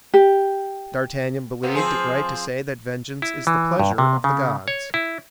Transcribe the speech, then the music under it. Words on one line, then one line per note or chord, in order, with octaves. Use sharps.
D'Artagnan believed it right to say that vengeance is the pleasure of the gods.
G4
C3 A#3 B3
F3 C4 G#4
E4
E3
G2
C3
C#3
C#5
E4